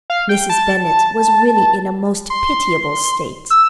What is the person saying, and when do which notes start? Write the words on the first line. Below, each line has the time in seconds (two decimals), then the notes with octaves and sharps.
Mrs. Bennet was really in a most pitiable state.
0.10 F5
0.29 G5
0.50 A5
2.30 C6
3.50 E6